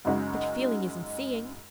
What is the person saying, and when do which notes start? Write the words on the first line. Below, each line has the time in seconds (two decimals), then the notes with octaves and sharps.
But feeling isn't seeing.
0.05 F#2 C#3 G#3 D#4 F#4